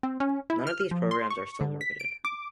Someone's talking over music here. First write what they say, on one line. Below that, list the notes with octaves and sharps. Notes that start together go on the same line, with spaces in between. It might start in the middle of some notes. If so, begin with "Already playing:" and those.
None of these programs are still marketed.
C4
C#4
E4
F6
F3
C6
C#6
D3
B6
D7
D6